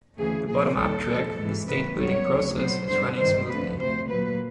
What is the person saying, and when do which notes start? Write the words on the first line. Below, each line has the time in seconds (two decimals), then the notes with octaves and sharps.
The bottom-up track — the State-building process — is running smoothly.
0.18 D2 C#3 E3 A3 G#4
0.48 A#2 F3 A#3 G#4
0.77 D#2 D#3 G3 A4
1.08 A#2 F3 G#3
1.37 G#2 E3 G#3
1.68 C3 D#3 F#3 A#3 B4
1.98 F#2 D#3 G3 B3 C#5
2.28 D2 C#3 F#3
2.58 B2 F#3 B3 C5
2.88 G2 D3 G3 B3 C5
3.18 G2 D#3 G3 C5
3.49 F2 D3 F3 A3 B4
3.79 D2 C3 F3 A3 C5
4.09 A#2 F#3 A#3 B4